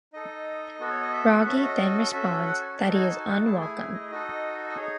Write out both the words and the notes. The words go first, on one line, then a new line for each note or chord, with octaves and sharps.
Bragi then responds that he is unwelcome.
D#4 A4 D#5
B3 F#4 A4
C#5
D#5
E5
F#5
C#4 F#4 A4 E5
E5
D#5
C#4 F#4 A4 E5
F#5
G#5
D#4 F#4 A4 A5
G#5
A5
G#5
F#5
A3 E4 G#4 A5
G#5
G#5
D#5
D#4 F#4 A4 D#5
D#5
D#4 G#4 C#5